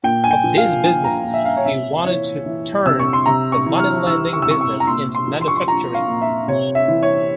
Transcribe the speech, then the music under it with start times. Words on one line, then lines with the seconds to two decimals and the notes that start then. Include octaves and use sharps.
Of these businesses, he wanted to turn the moneylending business into manufacturing.
0.04 A#2 G5
0.24 G#5
0.31 G5
0.44 F3
0.58 F5
0.84 F3 G#5
1.04 A#5
1.24 A#2
1.34 E5
1.45 F5
1.57 C#5
1.65 C3 E5
2.05 E3 C#5
2.46 E3
2.86 C3 E6
3.00 C#6
3.13 C6
3.26 C3 A#5
3.52 C#6
3.66 E3
3.80 F6
4.07 E3 E6
4.33 C#6
4.42 E6
4.47 C3 C#6
4.61 C#6
4.80 A#5
4.87 A#2 C6
5.15 C6
5.28 F3
5.41 C6
5.48 C#6
5.56 C6
5.67 F3 A#5
5.95 F5
6.08 A#2
6.22 E5
6.48 C3 C#5
6.75 E5
6.88 E3
7.03 C#5